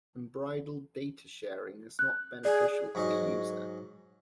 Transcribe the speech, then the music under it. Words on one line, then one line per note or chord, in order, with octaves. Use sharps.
Unbridled data sharing is not beneficial to the user.
F#6
G#4 D5
G#2 F#3 G#4 D#5